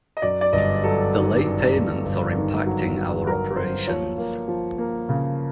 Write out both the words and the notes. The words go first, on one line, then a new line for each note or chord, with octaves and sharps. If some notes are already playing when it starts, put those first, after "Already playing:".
The late payments are impacting our operations.
D#5
F#2 D5
D5
G1 D#5
F#3 A4
D#3
F#2
G1
G1
D#3
F#3
F#3
F#3 A#4
F#3 C5
F3 C#5
A#3
F3
A#3
C#3